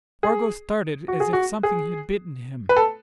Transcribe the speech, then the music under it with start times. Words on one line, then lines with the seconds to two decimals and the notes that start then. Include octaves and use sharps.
Spargo started as if something had bitten him.
0.23 G#4
1.08 F#4
1.20 G#4
1.33 F#4
1.63 G#4
2.69 B4
2.77 A4